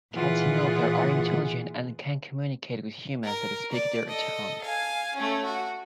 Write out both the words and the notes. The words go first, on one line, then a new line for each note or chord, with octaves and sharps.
Cats in Ulthar are intelligent and can communicate with humans that speak their tongue.
A#2 E3 F4 G#4 F#5
A#4
D5
A4 D#5
F5 G#5
A3 C#4
F#4